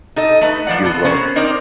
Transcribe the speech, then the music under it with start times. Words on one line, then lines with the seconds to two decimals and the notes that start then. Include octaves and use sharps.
You as well.
0.16 D#4 A4 D#5
0.41 A3 D#4 B4
0.67 F3 F#3 D5 F#5
0.84 B3 C4 A4
1.05 B3 C#4 A#4 C5
1.36 C4 D#4 A#4 C5 D5